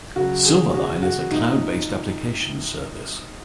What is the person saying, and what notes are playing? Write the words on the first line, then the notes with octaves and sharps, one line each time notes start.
Silverline is a cloud-based application service.
C#3 F#3 F#4
G#4
F#4
F#4
C3 F3 D#4